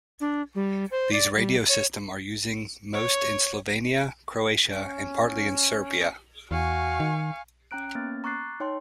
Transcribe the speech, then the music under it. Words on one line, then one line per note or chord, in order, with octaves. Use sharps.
These radio system are using most in Slovenia, Croatia and partly in Serbia.
D4
G3
C5
D5
G3
C#5
C#5
C#4
E2 F#4 F5 G#5 C#6
D#3
C#4 G5 A#5 F#6 D7
A#3 B3 C#4 F6 A6
A#5 C#6 D6 F#6 A6 C7
D#4 C#5 G5 C6